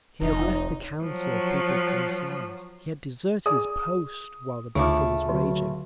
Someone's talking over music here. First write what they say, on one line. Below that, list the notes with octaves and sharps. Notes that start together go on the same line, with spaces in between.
He had left the Council of People's Commissars; he had deserted his post while the battle was raging.
F1 D#4
F3 F#3
G#4 D5 D#6
D2 C#3 A3 A#3 D#4 F4
D3 F#3